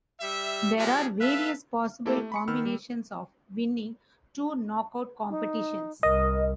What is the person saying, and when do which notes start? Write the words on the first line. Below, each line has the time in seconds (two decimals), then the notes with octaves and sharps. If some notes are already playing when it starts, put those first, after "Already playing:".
There are various possible combinations of winning two knock-out competitions.
0.20 G3 E5
0.78 F3 G3 G#3
1.20 A4 B4 E5 F5
2.06 A3 A#3 E4 G4 A4
2.18 A3
2.32 B5 C#6 C#7
2.48 D#3 B3 B5 E6 F6
2.65 G3
5.30 D#4
6.03 C2 A#4 D#5